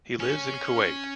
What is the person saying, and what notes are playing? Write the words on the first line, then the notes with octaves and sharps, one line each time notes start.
He lives in Kuwait.
C#4